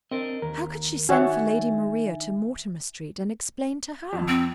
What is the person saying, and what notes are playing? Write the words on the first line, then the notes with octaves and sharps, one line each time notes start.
How could she send for Lady Maria to Mortimer Street and explain to her?
C4 D4 A#4 D#5
D#2 A#4
D#3 D4 F#4 C#5 E5 F#5 G#5
F2
C4